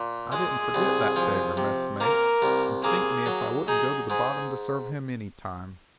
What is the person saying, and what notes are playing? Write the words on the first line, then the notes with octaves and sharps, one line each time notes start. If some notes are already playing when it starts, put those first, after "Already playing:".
I didn't forget that favor, messmates, and sink me if I wouldn't go to the bottom to serve him any time.
Already playing: A#2
G#3 G#4
C2
F3
C3
A#3 A#4
C2
A#3 G#4
F#3
D#4 G#4
G#2 G#4